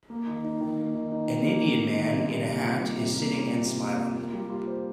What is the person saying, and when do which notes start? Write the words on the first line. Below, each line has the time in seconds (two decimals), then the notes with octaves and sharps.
An Indian man in a hat is sitting and smiling.
0.10 A#3
0.27 D#3
0.44 D#4
0.61 D#3
0.78 A#3
0.94 D#3
1.12 D#4
1.28 D#3
1.45 A#3
1.63 D#3
1.80 D#4
1.96 D#3
2.13 G3
2.29 C3
2.46 A#3
2.64 F4
2.80 G3
2.98 C3
3.15 A#3
3.32 F4
3.48 G3
3.65 C3
3.82 A#3
3.99 F4
4.17 A#3
4.33 G3
4.50 F4
4.67 C5